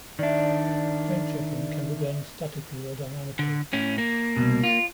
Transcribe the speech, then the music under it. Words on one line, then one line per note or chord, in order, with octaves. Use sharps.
Taint checking can be done statically or dynamically.
D#3 D4 D5 E5
D3
A2 C#4
A#3
C2 G2 B2
F4